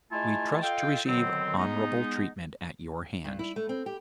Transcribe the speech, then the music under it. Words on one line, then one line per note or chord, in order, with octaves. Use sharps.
We trust to receive honourable treatment at your hands.'
G#3 A3 E4 F4 G#5 A5
F4 A4 D#5 F5 G5
B2 D3 D#3 F#3 C4
G#3 B3 D#4
G2
E4
A3
C4
G4